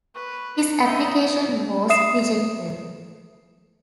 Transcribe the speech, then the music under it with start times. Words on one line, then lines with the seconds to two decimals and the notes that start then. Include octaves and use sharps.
His application was rejected.
0.15 B4 C#6
0.83 C#4 D#4 D#5 E5
1.90 E5 D#6 C7 E7